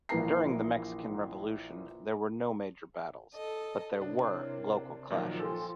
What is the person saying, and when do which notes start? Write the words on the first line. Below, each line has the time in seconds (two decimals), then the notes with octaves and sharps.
During the Mexican Revolution, there were no major battles but there were local clashes.
0.09 A#1 E3 A#3 B4 A#5 C7
3.34 A4 D#5
4.02 C3 D4 E4 A#4 C#5
5.10 A#2 D#3 F3 F#3 A#4 C#5
5.40 A4 G5 G#5 C6